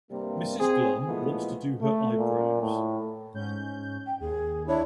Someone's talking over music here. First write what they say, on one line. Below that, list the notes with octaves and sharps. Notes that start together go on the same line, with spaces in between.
Mrs Glum wants to do her eyebrows.
G2 C3 G3 A#3
C4 G#4
A#2 E3 F3 G#3 A3 B3
A3
A#2
A2
G#2 C#4 G6
G5
D#2 G#4
D4 E4 C#5